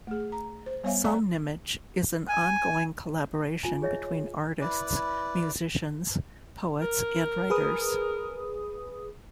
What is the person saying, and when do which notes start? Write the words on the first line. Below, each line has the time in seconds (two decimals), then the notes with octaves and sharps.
Somnimage is an ongoing collaboration between artists, musicians, poets and writers.
0.07 A3 G#4
0.32 A#5
0.66 C5
0.84 G3 B3 C#5 E5 F5 G#5
1.04 A4 D5 E5 F5 G5 A#5
2.29 G#5
3.63 F4 G#5 A5
3.82 G#4 C#5 D#5 E5
4.61 E4 B4 D5
6.82 A#4
7.50 G#4 B4 D#6